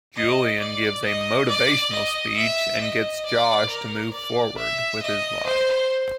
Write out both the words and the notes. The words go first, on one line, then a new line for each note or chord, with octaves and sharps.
Julian gives a motivational speech and gets Josh to move forward with his life.
D#5
D5
D#5
D5
D#5
E5
D#5
D5
A#4
D5
E5
D#5
C5